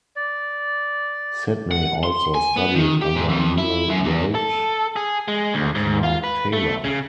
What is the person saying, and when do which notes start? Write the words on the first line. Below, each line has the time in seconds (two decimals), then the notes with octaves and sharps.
Sidney also studied under Neil Welch and Mark Taylor.
0.16 D5
1.71 F#5
2.03 C6
2.34 G#5
2.56 B3
2.75 D#3
3.02 G4
3.16 G#2
3.29 F2
3.58 E4
3.90 F#2
4.05 E2
4.35 A4
4.96 G#4
5.28 G#3
5.54 D2
5.75 G#2
6.03 F4
6.24 B4
6.53 A3
6.84 C#3